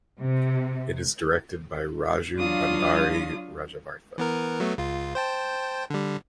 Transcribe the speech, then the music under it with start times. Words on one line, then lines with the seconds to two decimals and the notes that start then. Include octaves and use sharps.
It is directed by Raju Bhandari Rajavartha.
0.20 C3
2.37 F#3 D4 F4 F5 D#6
4.18 E3 B3 A#4
4.60 F#3 A3 B3
4.78 C#2 F4
5.15 C5 G5 A5
5.90 D3 G3